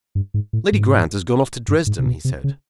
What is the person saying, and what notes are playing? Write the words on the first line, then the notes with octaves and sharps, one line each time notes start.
"Lady Grant has gone off to Dresden," he said.
G2
G#2
A2
G#2
G2
G#2
C3
B2
C3
C#3